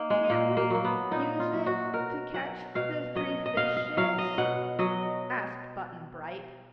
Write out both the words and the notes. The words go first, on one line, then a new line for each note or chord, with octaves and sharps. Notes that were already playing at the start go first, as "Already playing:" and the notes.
"Can't we use it to catch the three fishes?" asked Button Bright.
Already playing: A#3 D#4
G#3
A#2 A#3
A#3
F#3 A#3
B3
A#2 D#4
F4
F#3
F#4
B2 A#4
F#3 F#5
B2 F5
F#3 D#5
D#5
B2 F5
F5
F#3 F5
D#5
B2 F#5
F#3 D#5